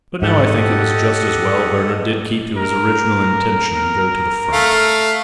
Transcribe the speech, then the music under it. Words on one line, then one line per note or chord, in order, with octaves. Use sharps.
But now I think it was just as well Bernard did keep to his original intention and go to the Front.
G#2 G4 A4 D#5 F#5
A#4
A3 F5